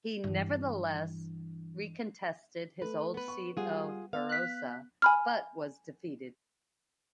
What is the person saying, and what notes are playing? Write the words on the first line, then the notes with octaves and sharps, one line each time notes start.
He nevertheless recontested his old seat of Barossa, but was defeated.
G2 E3
A3 B4
B3 B4
C#6
G3 F4 G#4 F#5 D#7
B3 F5
F#6 B6
G#5 B5 F6